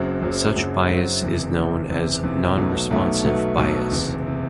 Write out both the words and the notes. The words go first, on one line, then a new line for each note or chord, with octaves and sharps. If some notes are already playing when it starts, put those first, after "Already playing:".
Such bias is known as nonresponse bias.
Already playing: F#1 F#2 F#3 C4
F#1 F#2 F#3 C4
F#1 F#2 F#3 C4
F#1 F#2 F#3 C4
F#1 E2 C3
F#1 E2 C3
F#1 E2 C3
F#1 E2 C3
B1 B2 F#3 A3
B1 B2 F#3 A3
B1 B2 F#3 A3
B1 B2 F#3 A3
F#1 E2 C3
C3